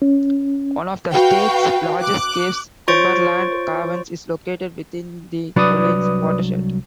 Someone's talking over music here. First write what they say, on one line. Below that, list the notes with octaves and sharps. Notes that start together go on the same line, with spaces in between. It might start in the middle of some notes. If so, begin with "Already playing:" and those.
One of the state's largest caves, Cumberland Caverns, is located within the Collins watershed.
C#4
F#4 B4 F5 G5
D6 F#6
F4 C5 C#5 C#6 A6 D7
C2 F#3 D4 B4 D5 D#6